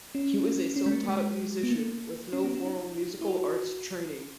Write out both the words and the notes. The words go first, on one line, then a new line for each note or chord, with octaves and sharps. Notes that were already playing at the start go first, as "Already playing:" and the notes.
He was a self-taught musician, with no formal musical arts training.
C#4
C#4
G#3
A#3
A#3
G#3
B3
A#3
C#4
B3
C#4
D#4
E4
F#4